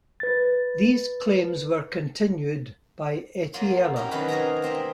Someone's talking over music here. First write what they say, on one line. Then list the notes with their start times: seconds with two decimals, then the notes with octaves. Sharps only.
These claims were continued by Etteilla.
0.20 B4 A6
3.54 F#3 A#3 F4 C6
3.96 C#4 D#4 E4 G4 A#4
4.11 C3 D#3 F#3 C#4 B4 B5
4.28 G#4 A#4 C5 D#5 G#5 A#5
4.62 A#3 C4 D#5 E5